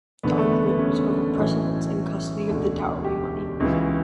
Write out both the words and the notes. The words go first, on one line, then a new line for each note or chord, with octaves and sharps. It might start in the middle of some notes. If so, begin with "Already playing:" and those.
The argument was over precedence and custody of the dowry money.
F#1 E2 D3 B3
A3
B3
B3
C#4
B1 A2 E3
E1 D2 D3
G4
C#2 C#3 E3